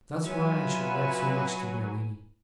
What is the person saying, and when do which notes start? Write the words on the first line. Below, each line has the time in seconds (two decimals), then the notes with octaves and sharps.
That's why I should like so much to be a lady.
0.25 F#3 B3 F4 B4 E5 G#5